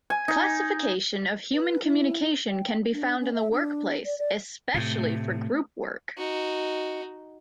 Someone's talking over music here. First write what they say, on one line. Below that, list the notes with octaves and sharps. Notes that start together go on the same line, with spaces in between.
Classification of human communication can be found in the workplace, especially for group work.
G#5
D#4
B4
E4
G5
D4
C#4
E5
D4
D5
D5
A2 C3 A3
D#4 F#4